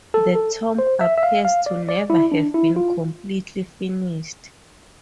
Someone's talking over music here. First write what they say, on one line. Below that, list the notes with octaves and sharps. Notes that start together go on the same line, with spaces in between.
The tomb appears to never have been completely finished.
A4
A4
C5
E5
E5
F5
F5
D5
D5
E4
D4
E4
F4